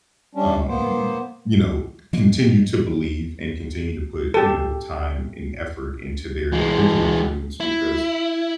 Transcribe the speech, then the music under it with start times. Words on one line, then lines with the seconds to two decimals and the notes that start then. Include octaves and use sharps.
um, you know, continue to believe and continue to put, you know, time and effort into their individual dreams because,
0.35 G3 C#4 D4
0.68 A#3 B3 C5
2.13 F3 F#3 G#3 A#3
4.34 G4 A4
6.53 E3 G#3
7.60 E4